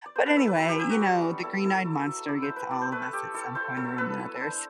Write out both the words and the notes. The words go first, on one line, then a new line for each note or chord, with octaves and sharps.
But, anyway, you know, the green-eyed monster gets all of us at some point or another, so.
D5
B3 C5
B4
E4 A4
B4
F#3
G4
F#3 G4
F#4
G3
B3
E4 A4
E4 A4
F#3
F#3
E4 D5
C5
E4
B4
E4 D5
C5
A3 B4
A4
A3 G4
E4 A4
E4 C5
F#3 A4
B3 B4
E4
D4 C5